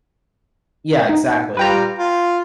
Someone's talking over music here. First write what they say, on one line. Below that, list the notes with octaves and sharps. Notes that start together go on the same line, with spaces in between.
Yeah, exactly.
D#4
G3 F4 B4 G5 A#5
F4